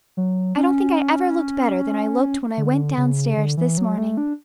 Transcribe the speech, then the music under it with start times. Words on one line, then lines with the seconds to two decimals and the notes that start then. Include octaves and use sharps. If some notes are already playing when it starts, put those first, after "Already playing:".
I don't think I ever looked better than I looked when I went downstairs this morning.
0.17 F#3
0.57 C#4
2.57 D3
2.97 C#3
3.37 D3
3.57 E3
3.78 F#3
3.98 A3
4.17 D4